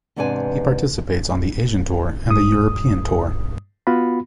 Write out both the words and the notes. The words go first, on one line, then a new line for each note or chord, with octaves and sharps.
He participates on the Asian Tour and the European Tour.
E2 G#2 C3 D4 B4 G#5
G2 D#6
B3 F4 F#4 B5